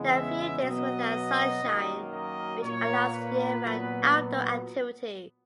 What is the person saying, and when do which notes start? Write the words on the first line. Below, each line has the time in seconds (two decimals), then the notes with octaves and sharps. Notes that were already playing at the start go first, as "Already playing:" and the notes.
There are few days without sunshine, which allows year-round outdoor activities.
Already playing: E2 C#3 G#3 B3
0.11 E5
0.62 B2 F#3 B3 D#5
1.63 F#2 D#3 F#3 A#3
2.12 D#5
2.62 A#2 A#3 C#5
3.13 B4
3.64 A#2 F#3 B3